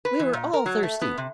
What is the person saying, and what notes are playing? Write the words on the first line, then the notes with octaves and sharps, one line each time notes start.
"We were all thirsty."
B4
E3
A#2
A#4
F#3
A3
B3
C3